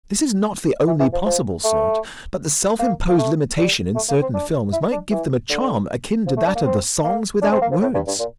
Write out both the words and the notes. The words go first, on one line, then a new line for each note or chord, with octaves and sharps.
This is not the only possible sort, but the self-imposed limitation in certain films might give them a charm akin to that of the Songs without Words.
E3
E3
F3
F3
A3
A#3
A#3
A3
G3
A3
A#3
C4
D4
E4
D4
E3
D3
F3
A3
D4
A#3
C4
A#3
D4
C4
A#3
F3
A2
G2
G2
A#2